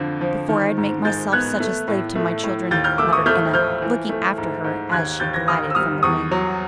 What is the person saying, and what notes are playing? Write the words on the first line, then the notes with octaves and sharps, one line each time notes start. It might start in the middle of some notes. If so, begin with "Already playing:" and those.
"Before I'd make myself such a slave to my children!" muttered Enna, looking after her as she glided from the room.
Already playing: F2 D3 F3
F3
D#3
G#2
G#3 G6 A6
B3 F#6 G#6
A3
A2
A3
A2
D#2 G6 A6
F6 G6
A3 D6 E6
C#6 D#6
A3 F6 G6
F3 F6 G6
E3
A3
G#2
G#2
D#2 F#6 G#6
D#2 G6 A6
G#6 A#6
D#2 D#6 F6
E6
G3 D#6 F6
E2 C#6 D#6
F#3